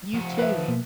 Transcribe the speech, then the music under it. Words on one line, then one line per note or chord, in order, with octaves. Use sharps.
You too.
F3 F#5
B4 E5
B2 A#3